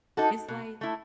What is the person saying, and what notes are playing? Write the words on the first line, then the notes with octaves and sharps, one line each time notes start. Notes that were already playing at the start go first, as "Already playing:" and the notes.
It's, like
D#4 F#4 A4
B2
A3 E4